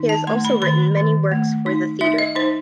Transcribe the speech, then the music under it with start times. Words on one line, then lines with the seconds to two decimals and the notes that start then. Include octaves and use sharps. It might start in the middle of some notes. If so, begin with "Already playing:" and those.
He has also written many works for the theatre.
Already playing: D#3 D#4
0.09 A5
0.27 A3 C6
0.45 B5
0.62 D#3 B5
0.97 D#3
1.32 A3
1.66 D#4
2.01 D#4 E5
2.18 D#5
2.36 D#4 C5